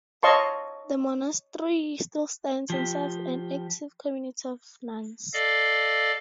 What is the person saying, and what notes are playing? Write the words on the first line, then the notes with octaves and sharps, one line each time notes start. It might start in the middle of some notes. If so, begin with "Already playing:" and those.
The monastery still stands and serves an active community of nuns.
C#5 D#5 F5 A5 C6 C#6
F3 G4
A4 D5 D#5 F5